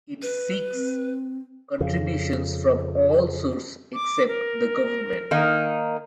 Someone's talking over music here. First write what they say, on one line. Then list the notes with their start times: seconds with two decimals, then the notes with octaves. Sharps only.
It seeks contributions from all sources except the government.
0.22 B4
0.73 C4
1.80 F2 C#3
3.94 D6
4.28 A#4
5.31 D#3 A#3 D#4